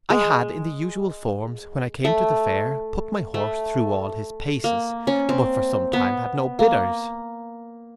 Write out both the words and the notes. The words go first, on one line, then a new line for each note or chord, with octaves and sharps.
I had, in the usual forms, when I came to the fair, put my horse through all his paces; but for some time had no bidders.
G#3
A3
A3
A#3
C#4
C4
B3
A#3